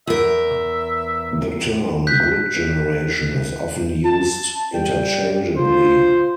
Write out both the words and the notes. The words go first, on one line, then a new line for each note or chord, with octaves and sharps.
The term "grid generation" is often used interchangeably.
E2 A#4 E5
F#6 G6 B6
A5
G3 G5
F4 C5